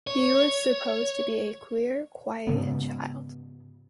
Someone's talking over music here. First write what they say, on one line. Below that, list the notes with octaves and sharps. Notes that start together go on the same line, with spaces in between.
He was supposed to be a queer, quiet child.
C#5
G#2 C#3 B3